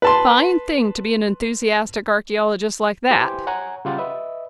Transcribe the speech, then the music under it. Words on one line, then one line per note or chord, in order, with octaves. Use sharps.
Fine thing to be an enthusiastic archæologist like that.
B4 A5 C6
E4 G4 B4 C5 G#5 C6
C#5 F#5 G#5 A#5
C#3 G3 F4 G4 F#5 A6
B4 D#5 E5